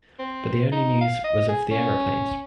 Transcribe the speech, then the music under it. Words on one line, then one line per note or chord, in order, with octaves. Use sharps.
But the only news was of the aeroplanes.
C4
D#4
F5
D#5
G#4
C#4